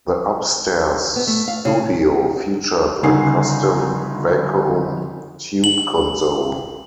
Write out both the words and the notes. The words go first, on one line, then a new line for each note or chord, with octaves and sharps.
The upstairs studio featured a custom vacuum tube console.
B3
A3
F5
C#3
G1 C#3 D#4 F#5 G#5 C7
F#7